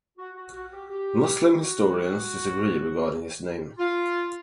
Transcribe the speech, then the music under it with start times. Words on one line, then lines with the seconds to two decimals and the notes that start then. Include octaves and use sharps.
Muslim historians disagree regarding his name.
0.18 F#4
0.36 F#4
0.54 F#4
0.72 G4
0.90 G4
1.62 F#4
3.78 F4